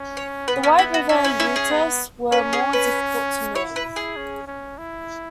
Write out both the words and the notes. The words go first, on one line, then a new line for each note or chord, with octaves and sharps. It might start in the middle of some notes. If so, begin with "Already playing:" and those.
The White River Utes were more difficult to move.
Already playing: C#4
C#5
B3 B4
C#4
E4
F#4
C#4 E4
E4
E4
G#4
B3
C#4 B4
G#4
B4
E4 C#5
B4
G#4
C#4
C#4
E4